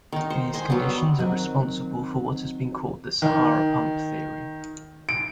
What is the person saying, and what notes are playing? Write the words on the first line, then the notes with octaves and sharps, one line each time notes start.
These conditions are responsible for what has been called the Sahara pump theory.
D#3 D#4
C5
C5 D#5 G#5
F#3 G3 B3
D#3 F#3 C4 F#4 A#4 D#5
D#3
D7